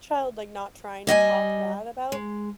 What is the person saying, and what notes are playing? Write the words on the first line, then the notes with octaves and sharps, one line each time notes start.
child, like, not trying to talk bad about
G3 D#5 F#5 G#5
G#3